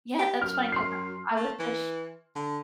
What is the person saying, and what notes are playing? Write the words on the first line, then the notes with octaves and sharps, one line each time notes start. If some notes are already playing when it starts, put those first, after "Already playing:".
Yeah, that's funny 'cause I I was just
G4
F#2 F6
C6 C7
A3
E3
D3